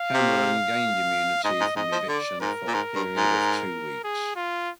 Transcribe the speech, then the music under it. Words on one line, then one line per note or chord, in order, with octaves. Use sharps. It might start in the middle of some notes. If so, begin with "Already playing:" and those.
Cameron gained immunity from eviction for a period of two weeks.
Already playing: F5
C3
G#2 D#5
G#2
G#2 D#5
F3
D3 D5
G#2 A#4
A#2
G#2
G2
G#2
G#4
F4